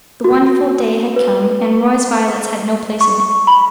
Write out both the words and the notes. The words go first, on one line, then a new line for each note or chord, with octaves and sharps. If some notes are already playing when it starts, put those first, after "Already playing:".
The wonderful day had come and Roy's violets had no place in it.
F#4
B4
C#6
B5